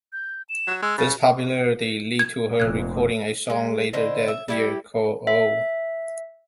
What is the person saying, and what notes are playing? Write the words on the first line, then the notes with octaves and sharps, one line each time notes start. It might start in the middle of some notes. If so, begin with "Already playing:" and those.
This popularity led to her recording a song later that year called Oh!
G6
E7
F#3
G#3 E6
C#3 A6
G#6
F1 A#2 F#6 G#6
G#3
D3 E4 C5 D#5
E5
G3 E4 G4
E5